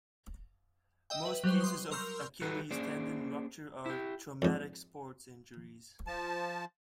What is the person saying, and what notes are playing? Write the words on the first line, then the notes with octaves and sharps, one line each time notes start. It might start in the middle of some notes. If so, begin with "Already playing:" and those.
Most cases of Achilles tendon rupture are traumatic sports injuries.
D#5 E5 G5
B4
F#3 G3 B4 C5
C6 D#6
A#4 C6 C#6 E6 F6 G6
D#3 G3 F#4 A4 B4 A#5
A#3 C#4 D4 G#4 C5 D5
E4 G4
F2 G#2
F3 A5